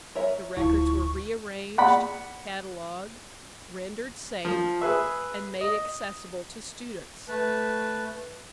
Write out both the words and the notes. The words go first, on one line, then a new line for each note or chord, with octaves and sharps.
The records were rearranged, catalogued, rendered safe, and made accessible to students.
A#4 C#5 E5
D1 F3 E4 C#6
D5 F#5 B5
F3
G#4 B4 E5
D#5
A3 B4 A5